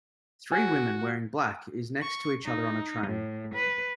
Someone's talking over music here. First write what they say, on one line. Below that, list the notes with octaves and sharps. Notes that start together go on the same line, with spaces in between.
Three women wearing black is next to each other on a train.
F#4 G#5
C#6
D#4
A2
B4